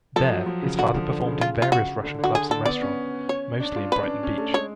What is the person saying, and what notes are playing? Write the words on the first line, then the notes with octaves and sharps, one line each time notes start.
There, his father performed in various Russian clubs and restaurants, mostly in Brighton Beach.
F3 A4
F#3
F3
C#3
D3 F#4
F3
D3
C#3
F4
F4
F#4
D3
D3
F#4
D3 G#4
D3 A4
B3 D5
C#4
C#5
D4
F4
D4 B4
D4
C#4
C#4
A3
G#3 C#5